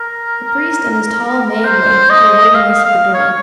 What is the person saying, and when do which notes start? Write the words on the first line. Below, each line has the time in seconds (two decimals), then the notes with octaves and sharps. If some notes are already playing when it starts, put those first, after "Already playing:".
The priest and his tall Megaera were awaiting us at the door.
Already playing: A#4
1.64 C5
2.10 D#5
2.55 F5
2.84 F5
3.14 C#5